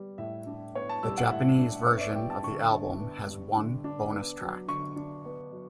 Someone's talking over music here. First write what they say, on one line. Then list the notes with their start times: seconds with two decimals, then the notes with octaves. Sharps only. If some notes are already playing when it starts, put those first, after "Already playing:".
The Japanese version of the album has one bonus track.
Already playing: G3 B3
0.18 A2 E5
0.47 D4
0.75 B3 C#5
0.89 A5
1.03 G3 E6
1.18 F#5
1.31 A2 E5
1.59 D4
1.87 B3 C#5
1.97 E5
2.01 D5
2.15 G3 G5
2.30 A5
2.43 D3 C#6
2.71 D4
3.00 B3
3.27 G3
3.57 D3
3.84 D4
4.12 B3
4.41 F#3
4.68 D3 C#6
4.96 D4
5.25 B3
5.52 F#3